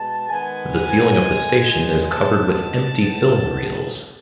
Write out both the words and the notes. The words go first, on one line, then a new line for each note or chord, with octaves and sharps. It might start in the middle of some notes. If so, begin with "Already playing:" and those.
The ceiling of the station is covered with empty film reels.
Already playing: B2 G#3 B3 A5
D#3 G#3 B3 G#5
A2 G#3 B3
B2 G#3 B3 A5
A2 G#3 B3